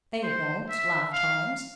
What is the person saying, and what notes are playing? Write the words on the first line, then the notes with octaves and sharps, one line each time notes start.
"They won't," laughed Holmes.
C5
E5
F5